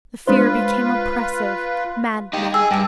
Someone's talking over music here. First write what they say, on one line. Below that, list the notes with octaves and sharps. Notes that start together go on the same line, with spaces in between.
The fear became oppressive, maddening.
G#3 D4 F4 B4 C5
D#4 G4
G#4 E6
G2 G5 E6